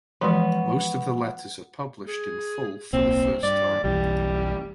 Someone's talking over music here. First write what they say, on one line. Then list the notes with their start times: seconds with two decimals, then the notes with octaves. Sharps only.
Most of the letters are published in full for the first time.
0.21 E3 F3 G#3 B3 F#4
2.08 G#4
2.93 D1 B1 A#3 C4
3.43 G2 D5
3.84 F#1 B1 E3 G3